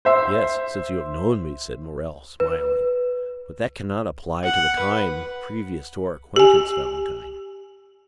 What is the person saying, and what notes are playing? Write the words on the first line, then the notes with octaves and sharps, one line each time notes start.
"Yes, since you have known me," said Morrel, smiling; "but that cannot apply to the time previous to our acquaintance, Valentine."
C5 E5 C6
B4
F#5
B4
G4 G#5